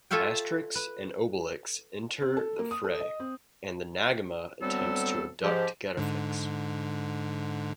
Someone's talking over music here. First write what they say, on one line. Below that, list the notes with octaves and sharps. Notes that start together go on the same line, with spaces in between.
Asterix and Obelix enter the fray, and the Nagma attempts to abduct Getafix.
F4 A4 C#5 E5 F5 G5
B4
C4
A4
A#3
D#6
A4
D#5
C4
D2 F#3 G3 B3 C4 A4
G#2 F3 G4
G#2 D3